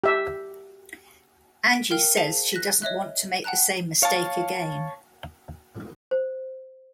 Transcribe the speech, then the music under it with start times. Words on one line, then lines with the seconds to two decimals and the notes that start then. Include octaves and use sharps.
Angie says she doesn't want to make the same mistake again.
0.04 G4 E5
1.71 B6 D7 D#7
1.91 A#4 F5 G5 F6
2.17 G#4 C5 F5 A5 B6 D#7
2.53 F#6 A#6 B6
2.82 C#5 D#5 E5 F#6
3.44 F#5 G5 A5 A#5 F#6
4.03 C#5 F5 A5
6.11 C5